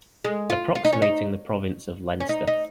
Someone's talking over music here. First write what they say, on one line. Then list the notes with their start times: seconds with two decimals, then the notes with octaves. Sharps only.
Approximating the province of Leinster.
0.24 G#3
0.50 F4
0.75 F4
0.85 D#4
0.93 C#4
1.02 D#4
2.20 C#4
2.29 D#4
2.47 D#4